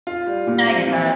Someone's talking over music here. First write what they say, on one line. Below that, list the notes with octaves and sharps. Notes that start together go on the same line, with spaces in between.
and I get that
F4
G3
A#2
C4
F3